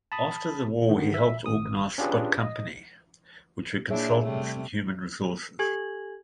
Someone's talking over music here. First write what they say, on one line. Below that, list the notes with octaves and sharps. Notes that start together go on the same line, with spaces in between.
After the War he helped organize Scott Company, which were consultants in human resources.
A5 B5 D#6
D3 D#3
E5
G#1 D#6
C#4 D4 F4 G4 G#4 B4
D#5
A#2 D4 E4 G#4 C#5 E5
C3 G3 A3
G4 A4 G#5 G#6 F#7